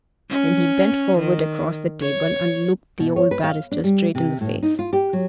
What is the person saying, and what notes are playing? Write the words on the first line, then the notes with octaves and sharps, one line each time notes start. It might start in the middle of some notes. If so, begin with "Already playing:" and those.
Then he bent forward across the table and looked the old barrister straight in the face.
C#4
D#3
C#5
B2
C#5
B4
F5
D4
G3
C3
A2
D#4
F4
G4
F#3